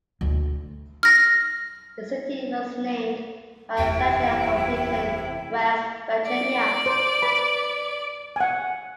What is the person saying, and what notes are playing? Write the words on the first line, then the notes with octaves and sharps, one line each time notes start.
The city was named by a settler from Hinton, West Virginia.
D2
F6 A#6
F#1 E2 C3 E4 G5
D5
C5
B4 B5
F#5 G#5